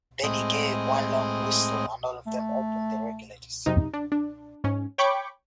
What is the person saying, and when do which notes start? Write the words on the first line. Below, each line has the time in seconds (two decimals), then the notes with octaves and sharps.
Then he gave one long whistle and all of them opened their regulators.
0.24 A2 G#3 C4 D#5
2.27 A3
3.66 F#2 C3 D#4
3.93 D4
4.12 D4
4.64 G#2 C#4
4.98 C#5 G5 B5 C#6 D6